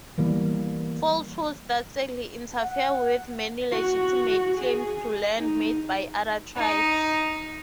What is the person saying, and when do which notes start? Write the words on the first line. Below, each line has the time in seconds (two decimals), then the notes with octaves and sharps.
Falsehoods that sadly interfere with many legitimate claims to land made by other tribes.
0.18 E3 G3 A#3 B3
2.62 F#5
3.72 F#4
4.59 G#4
5.40 D#4
6.56 D#4